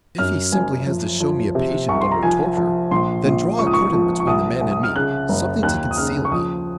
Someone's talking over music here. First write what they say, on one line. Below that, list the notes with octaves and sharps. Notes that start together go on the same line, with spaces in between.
If he simply has to show me a patient under torture, then draw a curtain between the man and me, something to conceal me.
F#2 F6
F#1 G#5
F3
F3
C3
C2 C#6
C6
A#5
F3 G#5
F3
A#1 C6
A#1
C#2 C#6
D#6
C#6
F3
C#6
C2 D#6
C2
D#6
F6
C#3 F#6
F#1
D#2 F#6
D#6
C#3 F6
C#6
F3 D#6